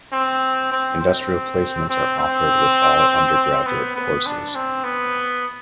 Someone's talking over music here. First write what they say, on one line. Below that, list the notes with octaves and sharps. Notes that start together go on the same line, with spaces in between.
Industrial placements are offered with all undergraduate courses.
C4
C4
C4
C4
C4
B3
B3
D4
C4
B3